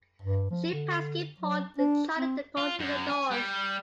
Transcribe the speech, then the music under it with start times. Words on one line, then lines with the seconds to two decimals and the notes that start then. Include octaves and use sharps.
The ship passed Cape Horn, then charted a course to the north.
0.22 G2
0.51 F3
0.73 D3
1.40 F#3
1.78 D4
2.18 C4
2.57 F4
2.80 F#2
3.10 G#5
3.31 G3